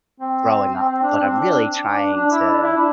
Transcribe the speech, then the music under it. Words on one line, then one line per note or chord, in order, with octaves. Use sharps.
growing up, but I'm really trying to
C4
D4
C4
D4
D4
D4
E4
D4
E4
D4